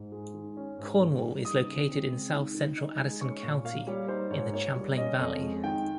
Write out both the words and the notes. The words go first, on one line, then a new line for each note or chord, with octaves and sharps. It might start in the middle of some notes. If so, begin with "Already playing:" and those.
Cornwall is located in south-central Addison County, in the Champlain Valley.
Already playing: G#2
G#3
D#3
C#4
G#2
A#3
G3
D#4 D#6
C#3
C4
G#3
D#3
D#3
D#4
G#3
C#4 C#6
A#2
A#3 F5
G3 C#5
D#4 C5
G#2 C#5
A#3 C#5
G3
C#4 D#5
F2 D#5
G#3
D#3 G5